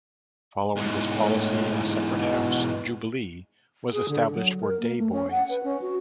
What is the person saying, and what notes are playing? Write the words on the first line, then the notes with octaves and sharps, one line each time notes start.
Following this policy, a separate house, Jubilee, was established for day boys.
E2 G#2
A2
B2
G#4
D3
F#3
A#4
A#3
A3
C#4
F#5
B4
C#4
F#4